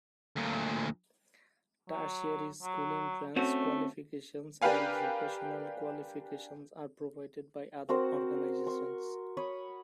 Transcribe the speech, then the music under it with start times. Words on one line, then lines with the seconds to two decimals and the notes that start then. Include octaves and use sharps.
Tertiary school entrance qualifications and vocational qualifications are provided by other organizations.
0.36 D2 A#2
1.90 F#3
2.63 F#3
3.36 A3 C4 C#4 F#4
4.62 D4 G4 A#4 B4 F5 G#5
7.89 C4 F#4 A#4 C5
8.67 C6 C#6
9.37 C#5 B5 D#6